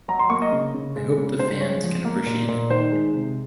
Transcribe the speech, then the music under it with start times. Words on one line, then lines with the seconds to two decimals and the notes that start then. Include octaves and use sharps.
I hope the fans can appreciate it.
0.08 F#3 A#5
0.19 C6
0.30 A#3 C#6
0.42 D#5
0.52 C#3
0.74 C#3
0.96 G#3
1.18 C#3
1.39 C#3 C5
1.61 G#3 C#5
1.84 F3
2.05 A#3
2.26 A#2
2.48 A#2
2.70 D#3 C5
2.92 G#3
3.14 C3